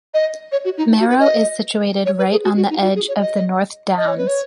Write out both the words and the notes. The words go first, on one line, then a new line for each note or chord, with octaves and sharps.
Merrow is situated right on the edge of the North Downs.
D#5
C#5
F#4
D#4
F#4
B4
D#5
C#5
B4
G#4
F#4
F#4
D#4
F#4
G#4
C#5
D#5
D#5
C#5
B4
C#5